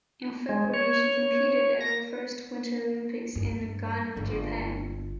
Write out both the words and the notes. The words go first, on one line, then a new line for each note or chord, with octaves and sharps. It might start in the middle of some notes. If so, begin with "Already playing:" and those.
In February, she competed at her first Winter Olympics in Nagano, Japan.
G#3
C#5
A#6
G2
G1 F4